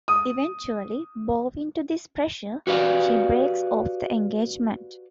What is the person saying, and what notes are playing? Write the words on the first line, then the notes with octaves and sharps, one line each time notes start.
Eventually, bowing to this pressure, she breaks off the engagement.
D#6
F#4 G4 B4 D5 F5